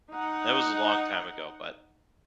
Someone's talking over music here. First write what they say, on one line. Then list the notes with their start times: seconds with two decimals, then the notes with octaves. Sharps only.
That was a long time ago, but,
0.12 D#4 F#5